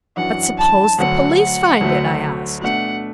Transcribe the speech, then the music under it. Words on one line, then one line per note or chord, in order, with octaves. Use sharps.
"But suppose the police find it?" I asked.
F#2 E3 D4 F#4 F#5
A5
D2 D3 F#3 F#5
F#5
D2 D3 F#3 A3
B2 A3 D4 F#5